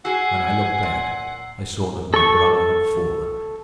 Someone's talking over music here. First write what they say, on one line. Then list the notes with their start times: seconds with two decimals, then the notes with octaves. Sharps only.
When I looked back I saw that my brother had fallen.
0.05 F#4 G#4 F#5 G#5 E6 C7
0.83 A#2
2.14 A4 C#6